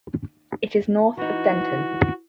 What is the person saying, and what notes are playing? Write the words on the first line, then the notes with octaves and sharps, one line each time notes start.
It is north of Denton.
E3 D#4 F#4